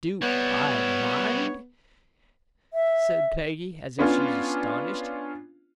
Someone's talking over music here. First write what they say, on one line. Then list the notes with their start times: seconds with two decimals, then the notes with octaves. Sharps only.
"Do--I--MIND?" said Peggy, as if she was astonished.
0.22 G3 B3 E4 C#5
2.73 E5
3.99 B3 C#4 D4 F4